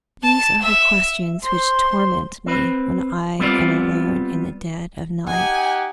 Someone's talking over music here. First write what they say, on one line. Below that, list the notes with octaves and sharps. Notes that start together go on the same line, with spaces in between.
These are the questions which torment me when I am alone in the dead of night.
A5
E5
C5 C6
C4 B4
G3 B3 C4 F4 D5
D#4 G4 F#5 G#5